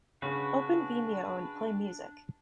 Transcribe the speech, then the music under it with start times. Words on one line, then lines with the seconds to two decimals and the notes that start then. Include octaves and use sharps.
Open Vimeo and play music.
0.22 C#3 D4 F#4 B4